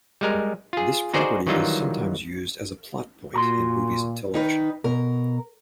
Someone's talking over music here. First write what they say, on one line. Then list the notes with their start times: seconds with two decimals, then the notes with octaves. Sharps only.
This property is sometimes used as a plot point in movies and television.
0.21 G3 G#3 A#4
0.73 F4 G#4
1.14 D#4 F#4 G#4 C5 D5
1.47 D#3 E3 F#3 G3 D#4 F4
3.33 A#2 F#4 A#5 C6
4.34 D#3 D#4 B4
4.84 B2 A#4